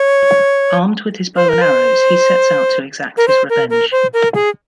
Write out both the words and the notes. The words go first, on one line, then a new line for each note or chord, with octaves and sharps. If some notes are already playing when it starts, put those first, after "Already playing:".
Armed with his bow and arrows, he sets out to exact his revenge.
Already playing: C#5
C5
A#4
C5
A#4
C5
A#4
A#4
C5
A#4
G#4